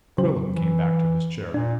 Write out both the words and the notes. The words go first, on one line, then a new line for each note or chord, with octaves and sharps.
Quillan came back to his chair.
C#3 F#3 C5
E3
A#2 D4